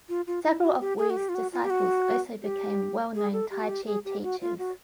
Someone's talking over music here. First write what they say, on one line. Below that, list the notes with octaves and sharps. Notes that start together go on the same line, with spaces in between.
Several of Wu's disciples also became well known t'ai chi teachers.
F4
F4
E4
F#4
G4
G#4
F#4
G4
F4
F#4
F4
G4
F#4
G4
G#4
A4
G4
F#4
G4
G#4
G4
F#4
F4
F#4